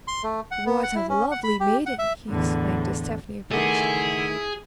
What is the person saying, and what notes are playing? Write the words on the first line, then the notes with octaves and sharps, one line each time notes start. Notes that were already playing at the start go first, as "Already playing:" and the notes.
'What a lovely maiden!' he exclaimed, as Tephany approached.
C6
A3
F#5
B3
F#5
E4
C#4
F#5
B5
G4
F#5
E5
E2 A2 D3
D#3 A3 E4 G#4 A4 F#5